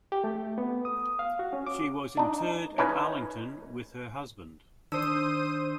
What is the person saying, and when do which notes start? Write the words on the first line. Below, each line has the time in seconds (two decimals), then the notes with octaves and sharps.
She was interred at Arlington with her husband.
0.12 G4
0.24 A3
0.58 B3
0.85 D#6
1.19 F5
1.39 F#4
1.53 C#4
1.66 D6
2.17 D4 D#4
2.78 C#4 D#4 E4 B4
4.92 D#3 D4 C5 D#6 E6 D#7